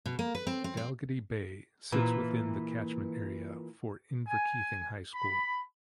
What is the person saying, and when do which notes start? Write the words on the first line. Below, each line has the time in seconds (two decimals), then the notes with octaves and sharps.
Dalgety Bay sits within the catchment area for Inverkeithing High School.
0.06 B2
0.19 A#3
0.35 B4
0.47 C4
0.64 C4
0.77 C4
1.92 A#2 E3
4.28 G#5
5.15 B5